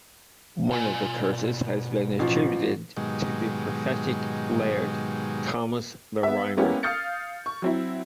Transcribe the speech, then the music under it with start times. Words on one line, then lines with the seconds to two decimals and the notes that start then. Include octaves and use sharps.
One of the curses has been attributed to the prophetic laird, Thomas the Rhymer.
0.71 B2 F4 G#5
2.19 A1 F3
2.97 G#2 B2 D#3 F#3 G#3 G4
6.23 B3 E5
6.57 G#3 A#3 B3 C#4 E4 G4
6.83 F5 D#6 F6 G6 A6 C#7
7.46 C#6
7.62 F#3 C4 E4